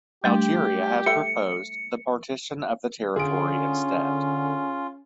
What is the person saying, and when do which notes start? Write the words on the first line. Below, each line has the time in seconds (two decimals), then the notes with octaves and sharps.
Algeria had proposed the partition of the territory instead.
0.24 G3 A3 D4 G4
1.06 A4 E5 G5 C#7
3.16 D3 C#4 F4 G#4 D7